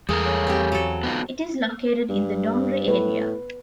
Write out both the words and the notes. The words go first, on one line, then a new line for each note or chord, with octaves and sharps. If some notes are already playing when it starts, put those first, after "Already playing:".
It is located in the Dongri area.
E2 G3 G#3 A4 A#4
C#3
C4 G4
F#3 A4
B3 D#4 F4
G2
A2 B4